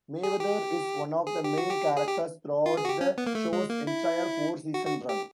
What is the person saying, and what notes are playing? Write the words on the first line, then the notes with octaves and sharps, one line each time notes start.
Mayweather is one of the main characters throughout the show's entire four-season run.
G#4
G4
G#4
G4
F#4
G4
G#4
G4
F4
G#4
F#4
G4
C#4
B3
A#3
A3
G#3
A#3
E4
F#4
F#4
G4